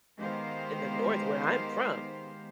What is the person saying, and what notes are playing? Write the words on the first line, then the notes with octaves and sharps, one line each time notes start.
in the North where I'm from.
D#3 G#3 B3 G4 C5 F5